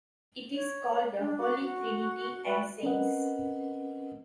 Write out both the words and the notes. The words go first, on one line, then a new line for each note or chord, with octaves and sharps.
It is called the Holy Trinity and Saints.
C#5
D4
F#4 D6
F#4
F#4 B4 D5 E5
C4 C#4 A#4 B4 D#5 F#5